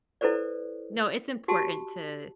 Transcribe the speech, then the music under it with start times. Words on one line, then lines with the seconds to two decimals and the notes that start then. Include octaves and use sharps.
No, it's important to
0.21 E4 A4 B4 C5 D5
1.48 F#4 G4 A5 C6